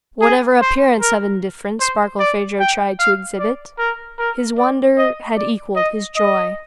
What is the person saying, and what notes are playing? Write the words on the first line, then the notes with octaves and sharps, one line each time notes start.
Whatever appearance of indifference Barkilphedro tried to exhibit, his wonder had equalled his joy.
G#4
C5
A#4
C5
D5
G5
F5
D5
A#4
A#4
D5
D#5
D5
D#5
D#5